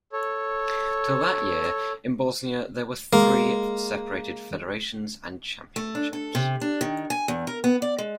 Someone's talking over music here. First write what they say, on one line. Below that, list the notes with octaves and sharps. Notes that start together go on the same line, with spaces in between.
Till that year, in Bosnia there were three separated federations and championships.
A4 C#5
G#3 A#3
A3
D4
A4
C3
D4
D#3
G#5
E2
A#4
B3
D5
G#3